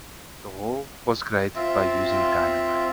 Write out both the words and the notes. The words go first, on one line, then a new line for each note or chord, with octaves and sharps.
The hall was created by using dynamite.
C4 F4 E5